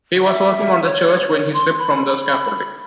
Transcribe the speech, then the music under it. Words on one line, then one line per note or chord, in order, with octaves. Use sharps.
He was working on the church when he slipped from the scaffolding.
E5
C#5
C6
B5